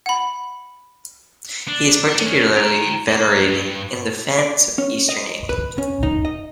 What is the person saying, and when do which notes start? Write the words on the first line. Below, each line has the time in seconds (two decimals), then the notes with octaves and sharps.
He is particularly venerated in the Fens of eastern England.
0.06 F#5 B5
1.68 D4
2.15 C#4 D4
2.56 G5 A#5
3.08 A#3
3.48 G2
4.39 D5
4.78 C#4
5.09 D#5
5.49 B4
5.78 C#4
6.03 D#4
6.25 D#5